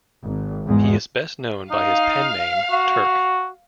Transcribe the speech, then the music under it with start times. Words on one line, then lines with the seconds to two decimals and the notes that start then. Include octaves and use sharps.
He is best known by his pen name Turk.
0.24 G#1
0.66 E2 G#2 G#3
1.71 D#4 F5
2.71 F#4